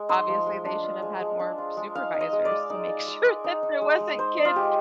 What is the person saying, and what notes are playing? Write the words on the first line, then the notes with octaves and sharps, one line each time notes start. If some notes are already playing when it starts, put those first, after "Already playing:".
obviously, they should have had more supervisors to make sure that there wasn't kids
Already playing: G#3
D#4 C6
F3
G#3
D4
F4
G#3
G#3
D4
F4
G#3
D#4 F5
D#4
D#5
G#3
D5
G#3
D#4
D#4
G#3
G#3
D#4
D#4
G#3
G#3
D#4 C5
D#4
F4
G#3 G4